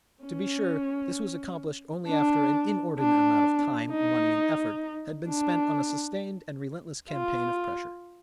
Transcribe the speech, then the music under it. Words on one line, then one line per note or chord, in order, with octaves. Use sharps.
To be sure this was accomplished only after an inordinate amount of time, money and effort had been spent on a sustained and relentless campaign of pressure.
C#4
D4
D4
D#4
D4
F4